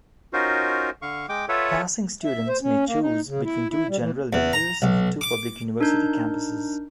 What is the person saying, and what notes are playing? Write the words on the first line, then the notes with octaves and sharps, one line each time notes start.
Passing students may choose between two general majors and two public university campuses.
C#4 D#4 F4 F#4 A#4 C5
D3 F5 C#6
G#3 G5 D6
F4 A4 B4 C#5 E5 F#5
E5
C5
C#4
A#3
D#4
C#3
E4
E4
G3
E3
E2
A#5
B1
D6
D4 D#4 A#4 G6